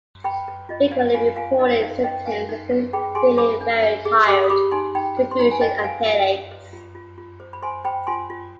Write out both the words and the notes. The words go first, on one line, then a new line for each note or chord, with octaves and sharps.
Frequently reported symptoms include feeling very tired, confusion, and headaches.
B4 G5 B5
B4
F4 D#5
B4 D5 F5
F4 F5 G#5
F4 F5 G#5
D#4 D#5 G5
D#4 D5 F5
B4 D#5 G5
B4 F5 G#5
D#4
B4
G#4 G5 B5
G#4 G#5 C6
D4 B5 D6
D4
D4
G#4
G4 B5 D6
D#6
G4 B5 D6
D#4 G#5 C6
D#4 G5 B5
C5
C6
D#4 B5
G#5
B4 D#5 G5
B4 F5 G#5
F4 F5 G#5
B4
B4
F4
F4
F4
C5
B5
C5 G#5 C6
C5 G5 B5
F4 G#5 C6
F4